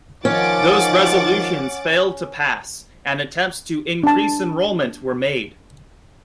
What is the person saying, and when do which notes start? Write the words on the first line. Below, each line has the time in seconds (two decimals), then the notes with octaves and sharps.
Those resolutions failed to pass, and attempts to increase enrollment were made.
0.25 D#3 F3 C#4 F#5 D6 A6
4.03 D4 A5